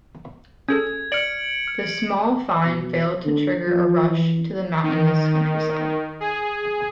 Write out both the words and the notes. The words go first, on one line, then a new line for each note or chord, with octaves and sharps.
The small find failed to trigger a rush to the mountainous countryside.
C#4 G#4 A4 G#6
D5 F6 C#7 D7 F#7
F6
B2
D3
F3
E3
D#3
G#4